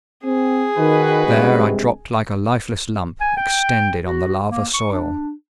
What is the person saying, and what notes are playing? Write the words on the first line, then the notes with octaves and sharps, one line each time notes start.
There I dropped like a lifeless lump, extended on the lava soil.
C4 G#4
D#3 D#4 F#4 B4
G2 C3 G#3
G#5
G5
F#4
A#3
C#6
D4